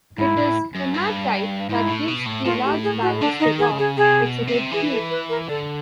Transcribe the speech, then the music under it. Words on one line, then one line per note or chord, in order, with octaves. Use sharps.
It is hematite that gives the large balanced rock its red hue.
G#2 E4
A2
F#2
G2
G#2 E4
A2
B2
A2
A2 F4
G4
G#4
F#4
D3 D4
D#4
D#3
G#4
C#3
G#4
C3 G#4
B2
C3
E3 G#4
A4
B4
A#4
D3 A4